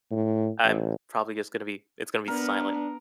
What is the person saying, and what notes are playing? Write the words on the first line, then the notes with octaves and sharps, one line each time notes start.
I'm probably just gonna be, it's gonna be silent.
A2
A1
B3 D4 A#4